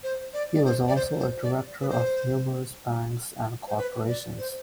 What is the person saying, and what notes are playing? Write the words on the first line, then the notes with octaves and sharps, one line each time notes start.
He was also a director of numerous banks and corporations.
C5
D5
D5
C5
D5
C5
C5
D5
B4
C5
C5
B4
D5
C5